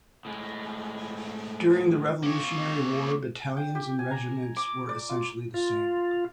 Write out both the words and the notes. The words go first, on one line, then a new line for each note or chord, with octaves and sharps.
During the Revolutionary War, battalions and regiments were essentially the same.
A2 G#3
A#3 C#5
G5
G4
G#5
A#5
D6
D5
F4
F4